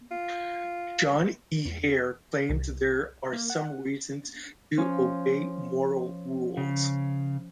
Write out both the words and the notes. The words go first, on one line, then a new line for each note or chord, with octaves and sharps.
John E. Hare claims there are some reasons to obey moral rules.
F4
E2
C2
A#3
F#5
F3 C#4
C#3